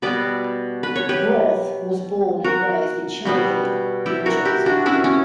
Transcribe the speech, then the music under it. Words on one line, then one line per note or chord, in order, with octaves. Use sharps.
Roth was born and raised in Cherry Hill, New Jersey.
B2 G3 B3 B4 D5
B4
C#5
G4 B4
F#4 A#4
B2 G3 B3
E4 G4
F#4 A#4
E4 G4
D4 F#4
C#4 E4
C#4